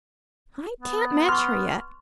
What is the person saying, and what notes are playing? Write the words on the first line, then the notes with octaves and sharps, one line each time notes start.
I can't match her yet.
B3
C6 C#6 F6